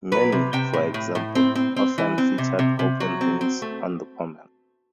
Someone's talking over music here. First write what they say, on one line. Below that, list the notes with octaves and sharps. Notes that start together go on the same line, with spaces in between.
Many, for example, often featured open rings on the pommel.
F#3 B4
C3
C3 G5
A2
A2
A2
C4
C4
C4
E3
C4
C3
C3
C3
F#3
C4
C4
A3